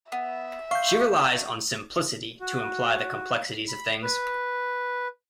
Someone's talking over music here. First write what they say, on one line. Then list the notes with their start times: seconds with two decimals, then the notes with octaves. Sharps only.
She relies on simplicity to imply the complexities of things.
0.12 B3 E5
0.71 F5 C6 C#6 G6
2.40 F#4
3.68 B5
4.02 B4